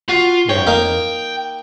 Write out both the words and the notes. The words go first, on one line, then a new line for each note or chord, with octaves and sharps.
Yeah, yeah.
F4 F#4
C#5 G5
A#3 D#4 A#4